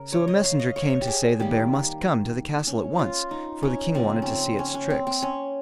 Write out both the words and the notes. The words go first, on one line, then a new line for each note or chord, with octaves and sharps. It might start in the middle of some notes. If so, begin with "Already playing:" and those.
So a messenger came to say the bear must come to the castle at once, for the king wanted to see its tricks.
Already playing: C#3 A#4
C#5
D#5
F5
D#5
C#5
G4
G#4
D#3 G3 A#3 G4
C#4
F4
D#4
C#4
C#3 F3 A#3 C4
C4 C#4
C#4
C#4
C4
C4
C#4